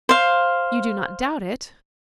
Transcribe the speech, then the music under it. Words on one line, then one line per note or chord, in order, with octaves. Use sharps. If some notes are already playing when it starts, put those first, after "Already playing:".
"You do not doubt it?"
C5 F5